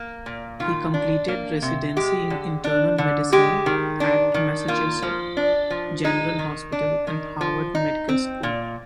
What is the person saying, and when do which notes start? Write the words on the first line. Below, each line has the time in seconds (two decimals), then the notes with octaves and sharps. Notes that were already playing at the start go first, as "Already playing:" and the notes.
He completed residency in internal medicine at Massachusetts General Hospital and Harvard Medical School.
Already playing: A#3
0.26 A#2
0.60 D#3 F4
0.94 D4
1.28 A#3
1.62 C3
1.96 G#3 G4
2.30 D3
2.64 D4
2.98 D3
3.32 G#3 G4
3.66 D#3
4.00 D4
4.34 D#3
4.68 A#3 F4
5.02 F3
5.37 D4
5.70 F3
6.04 G#3 D#4
6.39 D#3
6.72 D4
7.07 D#3
7.41 F3
7.75 D#4
8.09 C4
8.43 A#2